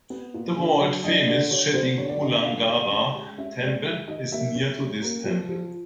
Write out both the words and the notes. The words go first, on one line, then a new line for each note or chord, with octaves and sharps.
The world-famous Chettikulangara temple is near to this temple.
B3
A#2
D3
F#3
D4 D#5
D3 D5
D3 C#5
B3 C5
D3 C#5
D5
D3 D#5
E5
C#4 F5
D#3
C#4
G#3
C#4 E5
G#3 D5
D#3 E5
D#3 D#5
A#3 E5
C#4
C#4
A#3
F3
F3